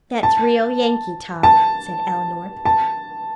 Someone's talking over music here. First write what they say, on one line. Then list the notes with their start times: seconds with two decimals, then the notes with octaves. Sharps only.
"That's real Yankee talk," said Elinor.
0.23 A5
1.43 A5
2.65 A5